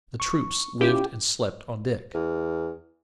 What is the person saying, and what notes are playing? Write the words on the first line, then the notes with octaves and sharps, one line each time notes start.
The troops lived and slept on deck.
C#6
C#4 E4 F4 G4
E2